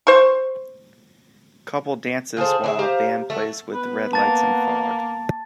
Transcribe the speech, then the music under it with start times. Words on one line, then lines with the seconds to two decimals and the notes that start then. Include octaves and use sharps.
Couple dances while a band plays with red lights and fog.
0.07 C5 C#6
2.37 F4 G#4 A4 C5
2.64 D4 G#4 E5
2.79 G4 C5 F5 A#5
3.30 A3 F#5
3.74 B3 B4
4.13 A#3 A5 A6